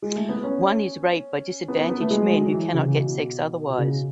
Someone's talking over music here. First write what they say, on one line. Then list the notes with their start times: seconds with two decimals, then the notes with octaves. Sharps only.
One is rape by disadvantaged men who cannot get sex otherwise.
0.02 G#3
0.16 A3
0.29 B3
0.43 C#4
1.68 B3
1.79 B3
1.90 B3
2.00 A3
2.11 G#3
2.31 F#3
2.46 F#3
2.52 E3
2.73 C#3
2.86 C#3
2.95 B2
3.70 B2
3.78 C#3